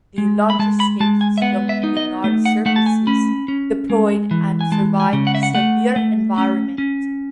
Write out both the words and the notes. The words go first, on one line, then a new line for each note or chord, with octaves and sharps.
The launch escape system canard surfaces deployed and survived the severe environment.
G#3
B5
G#3 A5
B5
G#3 A5
G#5
E5
B3 F#5
E5
D#4
D#5
A3
F#5
A3 F#5
A5
G#5
C#4 B5
C#4
G#3
E3
G#5
G#3 A5
G#5
C#3
F#5
E5
F#5
A3 F#5
A3
C#4
C#4